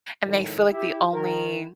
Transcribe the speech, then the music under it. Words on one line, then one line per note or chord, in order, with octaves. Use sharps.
and they feel like the only
G#1 F2 A2 D#3 G#3
E4 G4
D#3 A#4